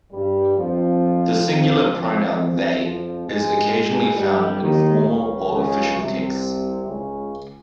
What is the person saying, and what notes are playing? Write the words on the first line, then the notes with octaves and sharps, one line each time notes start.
The singular pronoun "they" is occasionally found in formal or official texts.
G2 G3
F2 F3
F2 F3
F2 F3
F2 F3
G#2 G#3
G2 G3
D#2 D#3
C#2 C#3
C#2 C#3
C2 C3
C#2 C#3